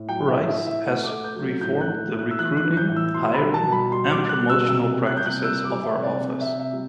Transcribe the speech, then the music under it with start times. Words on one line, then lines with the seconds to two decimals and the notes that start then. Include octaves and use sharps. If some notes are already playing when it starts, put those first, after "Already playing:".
Rice has reformed the recruiting, hiring and promotional practices of her office.
Already playing: A2
0.09 F#3 G5
0.28 E5
0.35 A2
0.48 E5
0.60 A2
0.66 E5
0.86 A3 F#5
1.05 D6
1.12 A3
1.24 G6
1.36 F#3
1.61 A2 G6
1.81 F#6
1.87 A3
2.13 A2
2.19 F#6
2.31 E6
2.39 E3 F#6
2.57 F#6
2.64 E3
2.77 G6
2.89 A2
2.96 E6
3.14 B2 C6
3.34 B5
3.40 G3
3.54 A5
3.67 B2
3.72 B5
3.91 G3 C6
4.11 D6
4.18 G3
4.29 F#6
4.42 B2
4.50 E6
4.68 C3 E6
4.94 G3
5.07 F#6
5.17 C3 G6
5.26 F#6
5.44 G3 E6
5.64 D6
5.70 G3
5.84 E5
5.96 C3
6.03 D5
6.21 C3
6.41 E5
6.46 C3
6.60 E5
6.73 G3